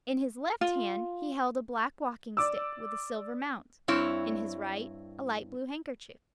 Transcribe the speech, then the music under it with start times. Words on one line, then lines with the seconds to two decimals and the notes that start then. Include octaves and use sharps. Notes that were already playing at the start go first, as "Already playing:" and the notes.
In his left hand he held a black walking-stick with a silver mount, in his right a light blue handkerchief.
0.61 F4
2.37 D5 D6 E6
3.88 G2 C4 E4 C#5